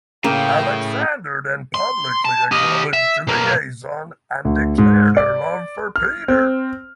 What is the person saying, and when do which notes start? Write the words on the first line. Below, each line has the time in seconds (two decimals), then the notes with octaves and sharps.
Alexander then publicly acknowledged the liaison and declared her love for Peter.
0.24 A2 C#3 A#3 G5
1.74 C6
2.25 A5
2.52 G4 D#5
2.93 E5
3.28 B1 A#3
4.45 D2
4.78 G#2
5.17 D5
5.96 F6
6.28 C4